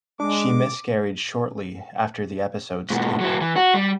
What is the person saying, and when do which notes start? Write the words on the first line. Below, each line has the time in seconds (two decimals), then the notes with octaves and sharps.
She miscarried shortly after the episode's taping.
0.20 G#3 D4 D6
2.90 G#2 B2
3.20 F#3 E4
3.41 E3
3.56 F#4
3.75 G3